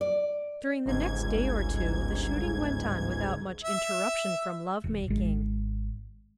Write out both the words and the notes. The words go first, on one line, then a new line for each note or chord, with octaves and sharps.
During the next day or two the shooting went on without much interruption from love-making.
D5
G1 C#2 G#2 G#6
E5
E1
G#1 G#3